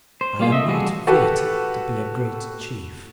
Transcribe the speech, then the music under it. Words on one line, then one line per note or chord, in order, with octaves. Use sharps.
I am not fit to be a great chief.
C5
G3 A#3 F4 G#4
A3 D#5 E5
G3 F#4 G#4 A4
F#4 G4 A4 B4